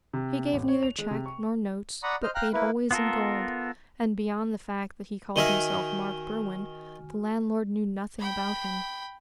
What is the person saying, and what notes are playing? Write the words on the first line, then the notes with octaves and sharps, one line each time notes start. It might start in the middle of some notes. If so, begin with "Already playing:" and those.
He gave neither cheque nor notes, but paid always in gold; and beyond the fact that he called himself Mark Berwin, the landlord knew nothing about him.
C3
A1
C#5
F7
G#3
C3
C#6
D5 F#5 A#5 B5 C#6 D#6
C5 D#5 F6
F5 G5 A#5 F6 F#6
A#3 E4 B4
B3 F4 A4 A#4
D#3 D#4 F#4 E5 G#5 F6
G5 B5